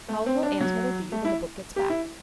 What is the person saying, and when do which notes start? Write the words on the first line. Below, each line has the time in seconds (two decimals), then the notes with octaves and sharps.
How old will Ann's mother be when the book gets back?
0.08 A3
0.26 C4
0.43 D4
0.60 F#3
1.12 A3
1.25 E4
1.76 G4
1.90 E4